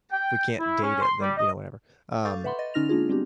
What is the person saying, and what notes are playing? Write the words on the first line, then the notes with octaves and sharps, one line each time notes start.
if we can't date it, then, you know, whatever. Um
G5
E4
C#4
C6
G3
D#5
A4 F5 C#6 D6 G6 A6
B4 E5 F#5 B5 C6
D#5 A6
D3 C#4 D#4 F6 A#6 F7
G#3 A#3 D4 F4 G#4
G3 B3 C4 D4 F#4 G4